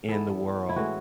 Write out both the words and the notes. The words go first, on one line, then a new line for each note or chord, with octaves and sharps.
in the world
E3 B3 E4 A4
E4
A2 E3 G#3 C#4 F#4